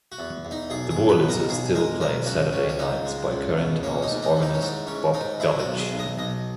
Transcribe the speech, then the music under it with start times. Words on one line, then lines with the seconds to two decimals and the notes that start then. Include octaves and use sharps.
The Wurlitzer is still played Saturday nights by current house organist Bob Gulledge.
0.12 F#4
0.19 E2
0.45 E2
0.51 D#4
0.70 B1 G#4
0.90 G#4
0.96 B1
1.09 B4
1.23 B2
1.29 A#4
1.49 B1 G#4
1.75 G#3 A#4
2.01 B1 A#4
2.26 C#2 F#4
2.53 C#2 C#4
2.69 C#4
2.79 C#2 D#4
3.05 G#3
3.31 C#2
3.57 B2
3.83 A#3 C#4
4.02 D#4
4.09 G#2
4.23 D#4
4.36 E3
4.42 D#4
4.54 C#4
4.61 G#2 D#4
4.87 G#2 C#4
5.14 G#2 D#4
5.40 G#3 E4
5.59 F#4
5.66 B1
5.79 G#4
5.92 B1
5.99 D#5
6.17 B1 D#5